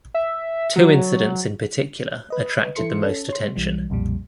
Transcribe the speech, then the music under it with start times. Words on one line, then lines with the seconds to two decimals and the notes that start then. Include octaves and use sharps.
Two incidents in particular attracted the most attention.
0.14 E5
0.76 F#3
2.30 B4 D#5
2.75 E3 E4 A4 C6 C#7
3.02 C#4 A4
3.29 C#5 C6
3.56 B1 E3 G3
3.90 B1 F2 A#2 G3